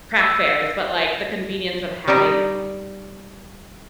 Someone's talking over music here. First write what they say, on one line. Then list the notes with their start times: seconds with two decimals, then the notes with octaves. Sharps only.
craft fairs, but like the convenience of having
0.21 E6
2.08 G3 D#4 G4 D#5